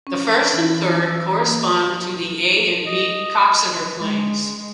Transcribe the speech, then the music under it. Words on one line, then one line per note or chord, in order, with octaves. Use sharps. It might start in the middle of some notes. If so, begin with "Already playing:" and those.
The first and third correspond to the A and B Coxeter planes.
C#4
E3
E6
A#3
D#5
G#3